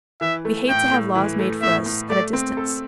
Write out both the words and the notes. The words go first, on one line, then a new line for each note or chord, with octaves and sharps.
We hate to have laws made for us at a distance.
E3 E5
A3
A2 G5
A2
E3
A3
A2 E5
A2
A3 D5
C4
A4